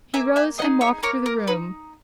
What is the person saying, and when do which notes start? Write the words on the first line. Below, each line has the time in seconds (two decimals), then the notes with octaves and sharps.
He rose and walked through the room.
0.14 A#3 E5 G#5
0.36 E5 G#5
0.58 D#4 G#4 D#5 F#5
0.81 C#5 E5
1.03 A#3 A#4 C#5
1.26 A#4
1.47 D#4 B4